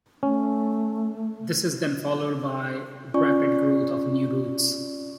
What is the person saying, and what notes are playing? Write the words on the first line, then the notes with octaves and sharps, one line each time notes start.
This is then followed by rapid growth of new roots.
A3 C#4
C#4 F4 D5 G#5 C#6